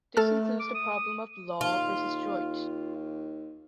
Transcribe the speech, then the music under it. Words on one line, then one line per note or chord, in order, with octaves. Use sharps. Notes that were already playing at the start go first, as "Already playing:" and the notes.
This includes the problem of "law" versus "droit".
A3 A4 A5 F6
D6
D#6
D#2 F4